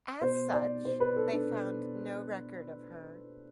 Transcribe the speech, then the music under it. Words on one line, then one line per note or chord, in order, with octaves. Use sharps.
As such, they found no record of her.
B2 C5
D5
B2 C5
B4
A4
D4
B2